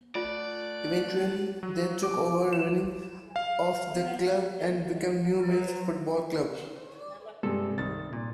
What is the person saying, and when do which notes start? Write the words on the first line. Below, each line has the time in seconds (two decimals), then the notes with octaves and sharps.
Eventually, they took over running of the club and became New Mills Football Club.
0.15 A3 F4 D5 F#5
1.63 F#3
2.03 D6
2.53 E7
3.36 F5
5.48 F#3
7.43 G2 C3 G#3 A4
7.78 C2 D#3 A6
8.13 A#2